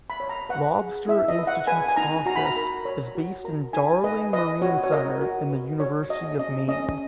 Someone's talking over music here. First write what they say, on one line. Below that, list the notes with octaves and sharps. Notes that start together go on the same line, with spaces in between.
Lobster Institute’s office is based in Darling Marine Center in the University of Maine.
B5
C#5
A#5
B4 F#5
G#4
E4 E5
D#5
B4
F#5
B4 G#5
G#5
D#4 A#5
F#4 A#5
B5
A#5
A#4 B5
C#5
F#4
A#4 A#5
D#4 G#5
B4 D#5
B4 D#5
F#4 C#5
C#5
A#4 D#5
F#4
B4
D#4 C#5
F#4 D#5
C#4 D#5
C#4 D#5